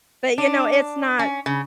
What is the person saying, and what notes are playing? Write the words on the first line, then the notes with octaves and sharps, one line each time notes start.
but, you know, it's not
D4
C#4
C#3